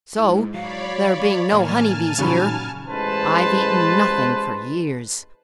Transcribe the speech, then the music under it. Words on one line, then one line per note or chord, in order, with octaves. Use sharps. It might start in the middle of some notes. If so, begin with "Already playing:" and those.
So, there being no honey-bees here, I've eaten nothing for years.
G#2 E4
F#3 C#5 D5 F5 B5
A2 E3 A#3 A#4 G#5 A5 F6
A#2 C#3 E3 F#3 D#4 B5
A1 G#3 B4 C5 A5